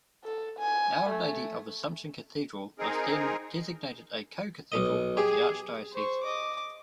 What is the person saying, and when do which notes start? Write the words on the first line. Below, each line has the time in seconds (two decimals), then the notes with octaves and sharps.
Our Lady of Assumption Cathedral was then designated a co-cathedral of the archdiocese.
0.24 A4
0.59 G#5
1.09 A3
2.79 C4 D#4 G#4 A#4
4.72 B1 D#5
5.17 G4 G#4
5.93 C5 C#6
6.23 D#5 D6